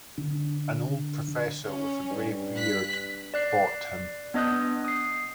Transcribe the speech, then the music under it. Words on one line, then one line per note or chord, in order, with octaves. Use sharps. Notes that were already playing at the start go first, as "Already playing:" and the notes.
An old professor with a gray beard bought him.
D3
C#4
G2
F#6 B6
D5 F#6 C7
B3 D4 D#5 D#6 F#6 G6
D#6 C7